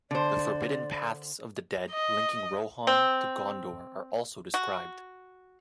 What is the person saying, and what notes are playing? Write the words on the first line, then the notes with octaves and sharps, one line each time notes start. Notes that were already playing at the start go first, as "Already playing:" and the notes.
The forbidden Paths of the Dead linking Rohan to Gondor are also described.
D3 C5 D5
D#5
C4
F#4